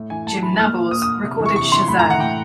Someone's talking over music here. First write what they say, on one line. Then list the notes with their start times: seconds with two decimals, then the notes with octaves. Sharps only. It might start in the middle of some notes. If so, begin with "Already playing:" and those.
Jim Nabors recorded Shazam!
Already playing: A2
0.10 E3 G#5
0.27 A2 A5
0.43 E3 B5
0.59 A#2 F6
0.91 A#2 D#6
1.02 D#6
1.24 C3
1.40 E3
1.46 C#6
1.56 C3 C#6
1.72 E3 C6
1.88 A2 B5
1.99 A#5
2.04 E3
2.10 F#5
2.20 A2 G5